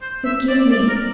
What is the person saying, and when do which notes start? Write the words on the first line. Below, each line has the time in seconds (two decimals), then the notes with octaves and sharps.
Forgive me!
0.02 C5
0.25 E5
0.49 D5
0.71 D5
0.89 A#4